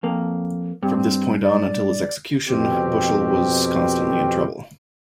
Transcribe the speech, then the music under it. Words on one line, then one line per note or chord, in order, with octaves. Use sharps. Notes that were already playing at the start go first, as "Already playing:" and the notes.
From this point on until his execution, Bushell was constantly in trouble.
F2 A#3
G2 C4
D5
F2 B2 C4 G4